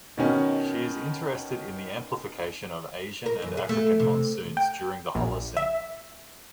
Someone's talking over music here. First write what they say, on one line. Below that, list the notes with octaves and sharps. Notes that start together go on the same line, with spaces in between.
She is interested in the amplification of Asian and African monsoons during the holocene.
B2 D#3 C#4
A#4
F#2
G#4
A3
C3
G5
A#1
E5